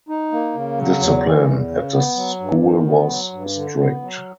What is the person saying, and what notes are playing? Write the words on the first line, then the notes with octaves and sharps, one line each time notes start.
Discipline at the school was strict.
D#4
A#3
C#3
F#3
E2
E3
E2
C#3
B3
F#3
G2
D#3
B3
F#3
G2
D3
B3
F#3